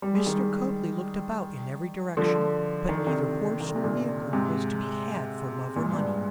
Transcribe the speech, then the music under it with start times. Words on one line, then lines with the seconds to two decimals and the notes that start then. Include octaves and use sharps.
Mr. Copley looked about in every direction, but neither horse nor vehicle was to be had for love or money.
0.02 G3
0.14 G#3
0.26 D#3 G3
2.17 D3 F3
2.89 D#3
2.98 D3
3.07 C3 D#3
3.61 D#3
3.69 D3
3.76 C3
3.84 A#2 D3
4.33 G#2 C3
5.76 A#2
5.85 G#2
5.93 G2 A#2